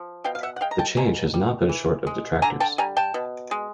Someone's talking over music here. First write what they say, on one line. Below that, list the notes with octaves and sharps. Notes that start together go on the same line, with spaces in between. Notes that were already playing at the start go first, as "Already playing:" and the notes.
The change has not been short of detractors.
Already playing: F3
B2 F5 G5
F5
E5 F#5
F#5
G#3 F5 G5
A#5
G5 A5
B2 G#5 A#5
G3
E3
G#3
D3 G#5 A#5
G5 A5
G3 G#5 A#5
G5 A5
B2
G#3